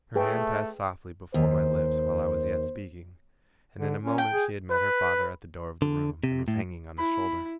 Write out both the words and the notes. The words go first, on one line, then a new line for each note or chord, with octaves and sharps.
Her hand passed softly before my lips while I was yet speaking, and in a moment she had met her father at the door of the room, and was hanging on his shoulder.
A3 G#4 B4 G5
D#2 C5
D3
C#4
G5
G#4
B4
D3
C3
A2
E4 B5